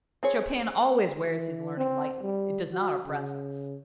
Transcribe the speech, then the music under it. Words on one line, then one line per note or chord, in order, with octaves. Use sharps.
Chopin always wears his learning lightly; it does not oppress us.
C4 G#4 C#5
E3
C4
G3
F#4
C#3